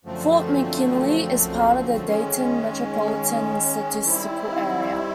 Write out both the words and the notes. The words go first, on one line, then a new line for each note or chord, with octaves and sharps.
Fort McKinley is part of the Dayton Metropolitan Statistical Area.
F#2 D3 F3 A3 C4
D#3 G#3 C#4
D#3 G3 C4 E4